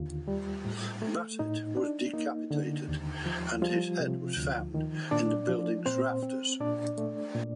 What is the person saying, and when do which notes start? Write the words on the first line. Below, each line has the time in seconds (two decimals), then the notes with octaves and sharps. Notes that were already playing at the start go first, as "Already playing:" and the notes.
Bassett was decapitated, and his head was found in the building's rafters.
Already playing: D#2 D3 F4
0.28 G3
0.65 A2
1.02 A3
1.39 A2 D#4
1.77 D4
2.13 A#3 D#4
2.51 D3
2.88 D#2
3.26 F3
3.62 F3 G3 F4
4.00 C3
4.37 D2
4.74 D#3
5.11 A#2 D4 D5
5.48 F3
5.86 A#2 C4 C5
6.23 C4
6.60 A#2 D4 D5
6.98 A3
7.35 A#2